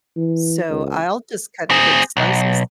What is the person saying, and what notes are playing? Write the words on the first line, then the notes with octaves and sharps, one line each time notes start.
so I'll just cut in big slices.
E3
C#2
C4 G#4
B1